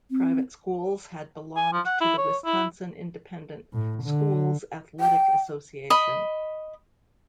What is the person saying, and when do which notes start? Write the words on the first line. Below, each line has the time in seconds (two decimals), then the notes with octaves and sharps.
Private schools had belonged to the Wisconsin Independent Schools Athletic Association.
0.11 C4
1.56 G#5
1.73 F3
1.86 F#5
2.01 E4
2.18 C#5
2.45 E4
3.73 A2
4.03 D3
5.00 G5
5.90 D#5 B5